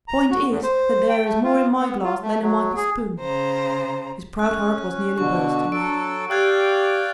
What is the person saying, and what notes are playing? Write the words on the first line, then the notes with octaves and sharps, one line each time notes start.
"The point is, that there is more in my glass than in Michael's spoon." His proud heart was nearly bursting.
A#5
F#4
E2
C5
G5
A3
F4
B3
F4
A3
F#3
G#4
C#3 C5 A#5
C#4 F#6
B2 D3 D4 C#6
F#3 A4 D7
G4 D5 F5 G5 E6 F#6 G#6